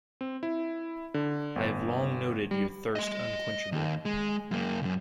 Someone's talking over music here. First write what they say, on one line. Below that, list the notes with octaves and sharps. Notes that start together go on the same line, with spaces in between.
I have long noted your thirst unquenchable.
C4
E4
D3
G1
G3
D#5 C6
D#2
G#3
F#2 A#3
C#2 F#2